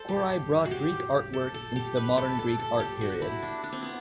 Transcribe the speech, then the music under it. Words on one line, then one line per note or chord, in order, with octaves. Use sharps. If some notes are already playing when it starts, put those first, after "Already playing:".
Korai brought Greek artwork into the Modern Greek art period.
Already playing: A4 C5
G4
F#4
G4
A4
A4
G4
B4
A4
A4
A4
G4
F#4
E4
D4
D4
C4
B3